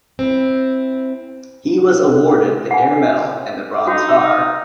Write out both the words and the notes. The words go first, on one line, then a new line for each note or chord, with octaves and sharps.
He was awarded the Air Medal and the Bronze Star.
C4 E4
F#5 G#5
D#4 F#4